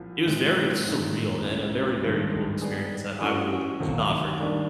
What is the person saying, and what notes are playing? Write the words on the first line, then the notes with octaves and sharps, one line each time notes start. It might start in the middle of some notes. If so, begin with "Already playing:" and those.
it was very surreal and a very, very cool experience that I will not forget.
Already playing: C2 A#2 F3
A2 E3 G#3 C4
G2 D#3 G#3
C#2 C#3 E3
G2 D#3 G#3
G3 B3 D#4 G#4
E3 A3 C#4 F#4 A4
D#2 D#3 F#3 A3 C4
D#3 G3 A#3 D4